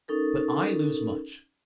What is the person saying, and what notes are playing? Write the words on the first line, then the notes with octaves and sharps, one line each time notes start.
But I lose much.
C#4 D#4 A4 A#4